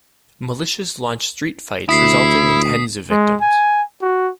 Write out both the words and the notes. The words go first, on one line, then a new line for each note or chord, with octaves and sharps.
Militias launched street fights resulting in tens of victims.
D2 E4 D#6 B6 C7
G#3
G#5
F#4